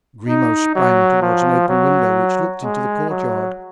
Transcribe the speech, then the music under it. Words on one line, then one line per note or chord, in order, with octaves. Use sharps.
Grimaud sprang toward an open window which looked into the courtyard.
D#4
F#3
F3
F#3
G#3
F#3